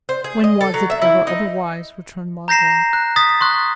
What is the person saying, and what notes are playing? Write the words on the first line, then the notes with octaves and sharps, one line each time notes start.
"When was it ever otherwise?" returned Magua.
C5
G#4
D#5
A4
F#3
E5
E4
D#4
A#5 G6 A#6 C7 E7
F#6
D#6 A6 B6
C6 C#6 F#6